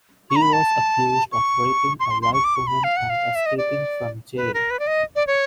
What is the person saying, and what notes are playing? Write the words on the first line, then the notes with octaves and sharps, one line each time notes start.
He was accused of raping a white woman and escaping from jail.
C#6
A#5
B5
A5
C#6
C6
C#6
C6
C6
C#6
D6
C#6
B5
F5
F#5
F5
E5
D#5
D5
B4
A#4
B4
D5
D#5
D5
C#5